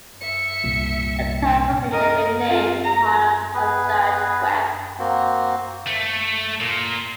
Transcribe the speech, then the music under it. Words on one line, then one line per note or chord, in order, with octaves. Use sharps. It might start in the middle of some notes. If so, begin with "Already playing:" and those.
The town was later renamed in honor of Judge Webb.
E5 C#7
C2 A#2
A#4 D#5
C4 F4
A#5
B3 G#4 B4
A#3 C4 F#4
A3
A#2